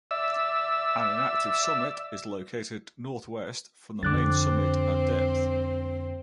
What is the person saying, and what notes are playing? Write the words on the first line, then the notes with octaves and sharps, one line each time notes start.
An inactive summit is located northwest from the main summit at depth.
D5 E5 E6
F2 D3 C4 D6 F#6 A6